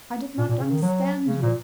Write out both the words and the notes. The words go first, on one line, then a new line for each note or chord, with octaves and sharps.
I did not understand you.
A#2
A#2
C#3
D#3
F#3
C#3
A#2